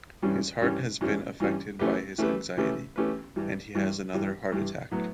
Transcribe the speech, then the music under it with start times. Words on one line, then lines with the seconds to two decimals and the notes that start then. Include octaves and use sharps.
His heart has been affected by his anxiety, and he has another heart attack.
0.22 G2 E3 G3 C#4
0.61 G2 E3 G3 C#4
1.01 G2 E3 G3 C#4
1.40 G2 E3 G3 C#4
1.79 E3 A3 C#4 G4 B4
2.18 E3 A3 C#4 G4 B4
2.57 E3 A3 C#4 G4 B4
2.96 E3 A3 C#4 G4 B4
3.36 G2 E3 G3
3.75 G2 E3 G3
4.14 G2 E3 G3
4.52 G2 E3 G3
4.91 A2 F#3 B3